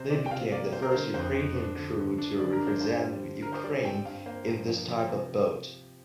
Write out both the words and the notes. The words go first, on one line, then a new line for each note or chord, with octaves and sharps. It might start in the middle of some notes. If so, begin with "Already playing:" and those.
They became the first Ukrainian crew to represent Ukraine in this type of boat.
Already playing: C3 C5
C3 D5
G5
C3 F5
A#3 D5
G3 C5
A#4
D3 C5
F2 C5
F2
D4
D3
D3
D4
D3 D5
A#4
D4
C5
G2 C5
G3
D3
D3 A#4
C5
G3 D5
C4 G5
G2 F5
A#3 C5
G2
F3
F3
C3